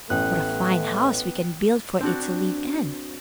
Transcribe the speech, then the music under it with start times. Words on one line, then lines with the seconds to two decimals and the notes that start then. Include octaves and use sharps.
What a fine house we can build for it to live in!
0.10 A1 A3 B3 G5 F#6
2.01 C4 D4 F#4